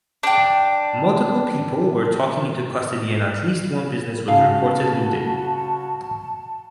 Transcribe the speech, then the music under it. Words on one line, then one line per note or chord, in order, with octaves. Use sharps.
Multiple people were taking into custody and at least one business was reported looted.
D4 G5
C#3 F#4 F5 A5